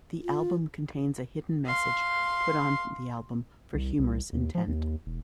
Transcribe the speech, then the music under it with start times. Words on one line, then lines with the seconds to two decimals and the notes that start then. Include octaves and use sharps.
The album contains a hidden message put on the album for humorous intent.
0.22 F4
1.65 F5 C6
3.74 C2
3.99 C2
4.33 D#2
4.55 F3
4.68 D#2
5.06 E1